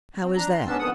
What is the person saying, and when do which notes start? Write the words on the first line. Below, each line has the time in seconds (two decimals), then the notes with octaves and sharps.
"How is that?"
0.24 C4
0.36 D4 A#5
0.52 C6
0.67 G#2 B3 C#4 D4 A5 E6
0.79 F2 D3 D#3 B3 F#5 D#6